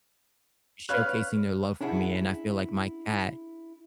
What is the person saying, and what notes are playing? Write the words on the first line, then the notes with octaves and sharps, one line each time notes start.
showcasing their love for me, and I feel like my cat,
B4 C#5 F5 F6 F#6
C#4 D4 E4 G#4 F#5